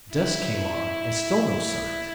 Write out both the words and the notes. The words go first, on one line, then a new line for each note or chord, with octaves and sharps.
Dusk came on, and still no signs.
E4